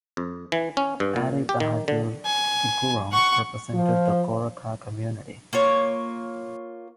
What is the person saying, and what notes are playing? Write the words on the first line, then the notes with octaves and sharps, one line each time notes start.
Ari Bahadur Gurung represented the Gorkha Community.
F2
E3
C#4
G2
A#2
G4
D#3
D3
G#5
F#5 C#6
F3
A#3 F4 C#5